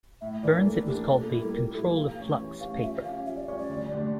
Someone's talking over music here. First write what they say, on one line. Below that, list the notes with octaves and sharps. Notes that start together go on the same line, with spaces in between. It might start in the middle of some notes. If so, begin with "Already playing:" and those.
Burns it was called the "Control of Flux" paper.
A2 E5
E3 A#3 D4 D5
A2 A4
E3 A#3 D4 G4
A#2 A4
G3 A#3 E4
A4
A#2 A#4
G3 A#3 E4 A4
E3 F5
A3 C#4 G4 C#5
E3
A3 C#4 G4 C#5 F5
F3 E5
C#4 G4 C#5 F5
F3 E5
D5
C#4 G4 C#5 D5
D5
D2
D3 A3 D4 G4